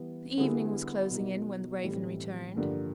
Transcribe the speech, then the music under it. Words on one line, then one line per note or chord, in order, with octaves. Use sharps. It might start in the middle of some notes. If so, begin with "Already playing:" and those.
The evening was closing in when the Raven returned.
Already playing: E3 G3 B3
D3 G3 B3 E4 G#4
B2 F#3 A#3 D#4
A2 E3 G3 C4
G2 D3 F3 A#3